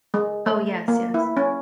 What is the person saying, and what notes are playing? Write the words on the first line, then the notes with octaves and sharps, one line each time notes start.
Oh, yes, yes.
G#3
A3
A#3
E4
C#4